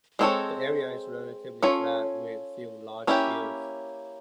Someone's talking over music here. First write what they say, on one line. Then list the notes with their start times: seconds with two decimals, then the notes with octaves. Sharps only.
The area is relatively flat, with few large hills.
0.19 G#3 C4 E4 A4 C#5
1.63 C#4 F4 A4 C#5
3.07 A#3 C#4 E4 G4